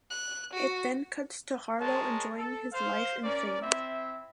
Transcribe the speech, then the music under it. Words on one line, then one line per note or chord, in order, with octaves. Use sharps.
It then cuts to Harlow enjoying his life in fame.
F#6
F#4
G#3 A#4 C#5 A5
A4
C5 F5
C#4 A#4 D5
C4 E4 E5